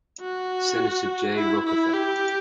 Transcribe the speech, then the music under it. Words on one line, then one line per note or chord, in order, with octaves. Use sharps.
Senator, Jay Rockefeller.
F#4
E4
E4
G4